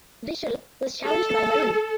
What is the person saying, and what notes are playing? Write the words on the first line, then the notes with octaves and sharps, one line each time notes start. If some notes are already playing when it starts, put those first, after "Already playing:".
Vishal was challenged by Varun.
A4